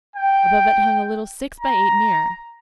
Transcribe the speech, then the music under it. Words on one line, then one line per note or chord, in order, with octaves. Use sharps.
Above it hung a little six-by-eight mirror.
G5
A#5